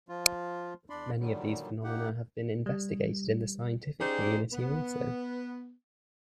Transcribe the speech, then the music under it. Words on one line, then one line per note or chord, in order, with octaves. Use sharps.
Many of these phenomena have been investigated in the scientific community also.
F3 F4
E2 D4 D5 B5 C6
A#2 D3 D#3 F#3 G3
A#3 D#4 G4 F#5
G3
C#4 D#4 G4 G#4 C5 D5
B3